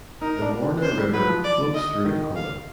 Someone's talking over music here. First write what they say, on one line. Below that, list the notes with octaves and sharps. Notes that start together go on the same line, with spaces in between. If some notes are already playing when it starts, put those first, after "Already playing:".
The Morna River flows through Akola.
D#4 A#4
D4
D4
C#4 C5
G3
F#3 B4
F3
D5
D#5
D#3
F5